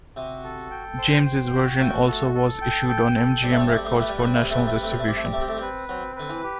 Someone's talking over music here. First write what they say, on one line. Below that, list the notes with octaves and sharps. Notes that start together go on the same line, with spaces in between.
James' version also was issued on M-G-M Records for national distribution.
C3 F#4
A4
G5
C5
G5
F#4
A3 F#4
A4
A4
G5
G5
A4
G3 C4
A3
G3
A3 G4
G3
A3
G3
A3 B4
G3
A3
G3 C4
A3
G3
A3 B4
G3
A3
G3
A3 C4
G3
A3
G3 G4
A3
G3
A3 C4
G3
A3
G3
B4
F#3 C4
D3 B4
E3
G4